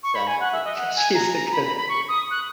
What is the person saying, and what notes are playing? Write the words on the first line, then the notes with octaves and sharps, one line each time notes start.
sad music, she's a good one.
C#6
B5
G#5
F#5
E5
D#5
F#5
G#5
A#5
A#5
B5
B5
B5
C#6
D#6
F#6